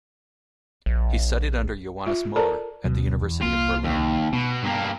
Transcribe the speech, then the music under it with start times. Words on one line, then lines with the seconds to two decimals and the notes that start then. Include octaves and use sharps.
He studied under Johannes Muller at the University of Berlin.
0.86 A#1
2.06 F4 E5
2.36 A4 A#4 C5 D5 A5 A#5
2.84 D2 B2 F#3
3.22 E2
3.42 C2 A#3 F4
3.84 D#2
4.33 B2 B3
4.63 G2 A#3